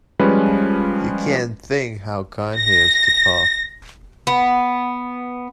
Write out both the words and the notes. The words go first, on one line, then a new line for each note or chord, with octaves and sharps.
You can't think how kind he is to Pa.
F3 G3 G#3 C#4 B4
A#6
B3